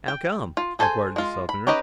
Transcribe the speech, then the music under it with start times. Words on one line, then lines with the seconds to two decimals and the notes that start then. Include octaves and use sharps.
"How come?" inquired the Southerner.
0.08 G5
0.57 F4
0.79 G#4 A4 C5 D5 G#5
1.16 G#3 F4
1.49 B5
1.67 C#4 D#4 G4 B4 D#5